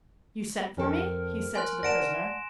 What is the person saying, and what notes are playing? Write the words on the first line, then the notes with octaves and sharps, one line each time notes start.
"You sent for me?" he said to the prisoner.
F2 G4 A4 A#4
G#5 C6 F#6
D5 F#5 A5 A#6 D7 E7